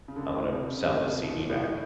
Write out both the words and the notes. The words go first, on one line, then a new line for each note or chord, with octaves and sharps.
"I'm gonna b sell this CD back."
C#3
D3
C#3
A2
C3
C#3
C3
B2
A#2
A2
A2